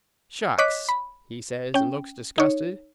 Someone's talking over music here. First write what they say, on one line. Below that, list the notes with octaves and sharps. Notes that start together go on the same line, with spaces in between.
"Shucks!" he says, and looked disgusted.
C#5 D#5 D6 F#6 B6
B5
C#4 G5
D#4 C#5